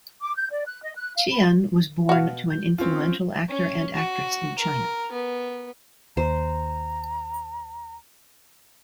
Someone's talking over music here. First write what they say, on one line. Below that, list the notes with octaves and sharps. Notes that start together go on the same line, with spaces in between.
Tian was born to an influential actor and actress in China.
D6
G6
D5
F#6
D#5
F#6
F5
B5
B2 F#4 F5
G6
C4 C#4 F4
C#4
F#4
A#4
B3
D#2 C5 A#5